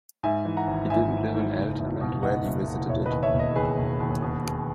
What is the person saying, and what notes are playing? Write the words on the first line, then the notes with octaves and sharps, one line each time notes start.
He didn't live in Elton and rarely visited it.
G#2 E5 G#5
E3
F#5 A#5
G#1
G#2 E5 G#5
E3
G#2
F#1
E2
B2
F#1 D#5 F#5
F#1
F#1
E1 C#5 E5
B4 D#5
D#2
C#5 E5
E1
B4 D#5
D#2 G#4 B4
E1
D#2
B2
B2